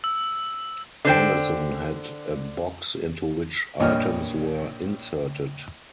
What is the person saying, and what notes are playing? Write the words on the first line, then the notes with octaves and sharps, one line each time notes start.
Anderson had a box into which items were inserted.
E6
D3 C5 G5
A#1 G2 A#2 C#5 D#5 F6